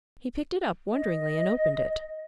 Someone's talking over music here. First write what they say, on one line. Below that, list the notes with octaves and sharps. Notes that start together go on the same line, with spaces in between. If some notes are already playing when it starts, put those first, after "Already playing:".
He picked it up, wonderingly, and opened it.
D#5